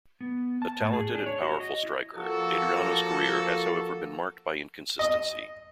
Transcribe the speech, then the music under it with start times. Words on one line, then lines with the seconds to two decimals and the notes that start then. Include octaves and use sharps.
A talented and powerful striker, Adriano's career has however been marked by inconsistency.
0.21 B3
0.62 A5
0.81 A2
0.93 G#4
1.15 D4
1.26 C#5
1.42 F#4
1.60 D#5
1.83 E4
2.16 F3 A#3 F#4 A4
4.99 D#5